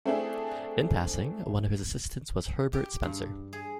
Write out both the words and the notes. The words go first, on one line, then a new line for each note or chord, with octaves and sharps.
In passing, one of his assistants was Herbert Spencer.
A3 C4 D4 E4 G#4
G4
G2
G#4